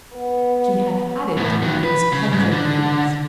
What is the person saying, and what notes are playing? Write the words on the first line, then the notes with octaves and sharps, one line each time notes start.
She had had it these hundred years.
B3
E2 A2
D#3 F#3
B4
C#3
G#2
D3